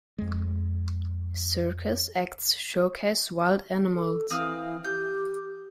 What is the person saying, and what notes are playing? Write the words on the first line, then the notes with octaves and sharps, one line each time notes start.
Circus acts showcased wild animals.
F2 G#3
A4
E3 C4 F5 D#6
G4 G6